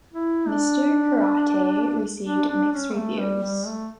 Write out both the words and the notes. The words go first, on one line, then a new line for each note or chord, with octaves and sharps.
Mr. Karate received mixed reviews.
E4
D4
D4
D4
C#4
A3
G3
G3
A3